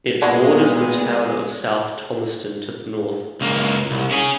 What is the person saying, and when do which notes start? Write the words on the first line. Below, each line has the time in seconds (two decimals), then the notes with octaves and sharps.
It borders the town of South Thomaston to the north.
0.22 A#2 G#3 B3 D4 E4 F#4
3.41 C#2 A#3
3.91 C2
4.11 C#4 G#4